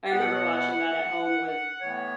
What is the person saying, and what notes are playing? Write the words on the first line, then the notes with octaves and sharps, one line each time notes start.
I remember watching that at home with,
B2 B3 F#5
A2 E3 B3 C#5